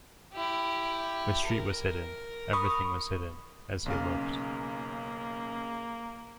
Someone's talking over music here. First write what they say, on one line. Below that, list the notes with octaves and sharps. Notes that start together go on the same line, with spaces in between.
The street was hidden, everything was hidden, as he looked.
E4 G4
A#4
B5 C#6 D#6
B1 C#3 A#3 F5